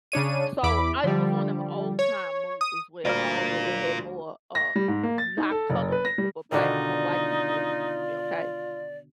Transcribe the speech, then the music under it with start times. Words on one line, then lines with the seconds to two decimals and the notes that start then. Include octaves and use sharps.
So, I it was one 'em old time movies where all that they had more, uh, not colored people, but black no, white people in the movie, okay?
0.12 C#3 D4 C#5 D#7
0.63 E2 E4 B5 D6
1.04 D3 F3 G3
1.99 C#5
2.61 D#6
3.05 D2 G3 F4 A#4 F5
4.55 A#6
4.76 G3
4.88 G#2
5.03 A#3
5.18 A6
5.38 D#4
5.51 A4
5.70 F#1
5.92 B4
6.05 A#6
6.18 G3
6.52 B2 D3 D#3 D#4 F4 D5